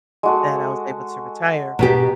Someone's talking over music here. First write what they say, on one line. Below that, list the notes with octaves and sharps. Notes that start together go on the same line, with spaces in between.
that I was able to retire,
G#3 F#4 A4
B2 B3 G4 A#5